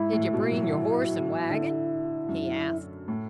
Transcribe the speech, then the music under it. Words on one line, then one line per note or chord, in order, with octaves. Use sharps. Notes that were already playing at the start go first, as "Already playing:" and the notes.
"Did you bring your horse and wagon?" he asked.
Already playing: G#2 E4
A2
B2
F#3
D3
F#2
A2